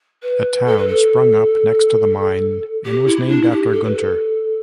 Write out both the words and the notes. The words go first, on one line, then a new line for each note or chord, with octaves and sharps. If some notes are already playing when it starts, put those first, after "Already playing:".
A town sprung up next to the mine and was named after Gunter.
B4
A4
B4
A4
G4
E4
D4
E4
G4
A4
B4
A4